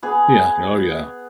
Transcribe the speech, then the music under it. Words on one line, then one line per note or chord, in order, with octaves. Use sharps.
Yeah, oh, yeah.
B3 G#4